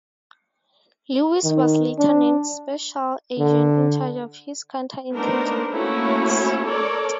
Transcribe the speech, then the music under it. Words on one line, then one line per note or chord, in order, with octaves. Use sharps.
Lewis was later named special agent in charge of his counterintelligence unit.
D#3
D4
D3
A3 B3 D4 D#4 A#4 C5
A3 A#3 C#4 E4 F#4 C#5
A4 A#4 C#5 D5